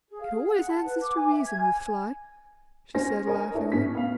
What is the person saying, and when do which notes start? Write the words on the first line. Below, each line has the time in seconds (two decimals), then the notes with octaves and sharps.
"It always answers to reason with Fly," she said, laughingly.
0.09 G#4
0.21 F5
0.35 G#4
0.49 F#5
0.67 A5
0.85 B4
1.02 D6
1.16 G#5
1.32 E5
1.46 G#6
1.60 G#5
2.95 C#4 C5 G#5 A#6
3.27 A#4 C#5 D#5 G#5
3.54 D4 E4 A4 B4 C#5
3.72 A2 C#4 B6
3.95 B3 F5